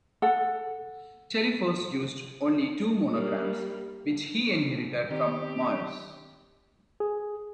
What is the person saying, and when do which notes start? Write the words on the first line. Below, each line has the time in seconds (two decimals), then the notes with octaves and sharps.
Telephos used only two monograms, which he inherited from Maues.
0.22 A4 F#5
3.11 G3 A#3
5.10 D#3 C4 G4
7.00 G#4